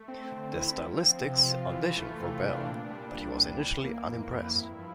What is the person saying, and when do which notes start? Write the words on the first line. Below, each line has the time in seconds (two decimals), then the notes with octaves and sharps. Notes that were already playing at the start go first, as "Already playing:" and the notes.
The Stylistics auditioned for Bell, but he was initially unimpressed.
Already playing: A3
0.08 C4
0.32 D3
0.56 E4
0.78 F3
1.02 C4
1.26 C3
1.50 F4
1.73 E3
1.97 A3
2.20 C3
2.43 D4
2.67 A#2
2.91 G3
3.14 C2
3.38 C2
3.61 E3
3.84 A#3
4.08 F2
4.32 E4
4.55 G2
4.79 F3